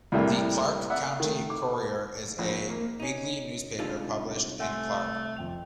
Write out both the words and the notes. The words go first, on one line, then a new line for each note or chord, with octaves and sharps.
The "Clark County Courier" is a weekly newspaper published in Clark.
C2 A2 C3 G3 A3 A#3
D5 E5 F#5
D#3 A3
D6
A#1
A#3
C#4 D#4
C2 G#3 D4 D#4 F4 A4
A3 F#5 G#5 C6
F2 G5 F7